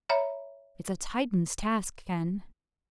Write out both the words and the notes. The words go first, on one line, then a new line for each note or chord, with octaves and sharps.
"It's a Titan's task, Ken."
C#5 E5 A#5 B5